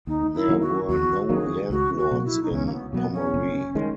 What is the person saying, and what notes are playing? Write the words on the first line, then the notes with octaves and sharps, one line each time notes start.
There were no landlords in Pomor'e.
D#2 D#4
E4
D#3 F#3 A#3
F#4
D#2 F#4
D#3 F#3 A#3 G#4
C#2 F#4
F#4
B2 F#3 A#3
E4
D#4
C#2 C#4
A#3
B3
B2 F#3 A#3 B3
C#4
F#1
D#3 G#3